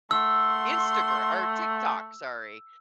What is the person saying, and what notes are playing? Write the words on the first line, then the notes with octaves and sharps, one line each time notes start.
Instagr or TikTok, sorry,
A3 F#5 C6 E6